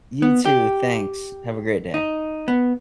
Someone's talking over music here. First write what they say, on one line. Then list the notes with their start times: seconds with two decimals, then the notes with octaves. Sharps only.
You too, thanks, have a great day.
0.22 B3
0.45 G4
1.94 D#4
2.48 B3